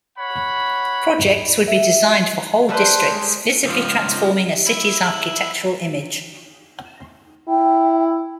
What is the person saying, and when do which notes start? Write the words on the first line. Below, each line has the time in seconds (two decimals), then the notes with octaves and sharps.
Projects would be designed for whole districts, visibly transforming a city's architectural image.
0.18 C#5 F#5 B5
1.68 E5
2.69 G3 A4 B4 C5
3.10 G#3
3.64 C#2 F3
4.67 E4
7.48 E4 G5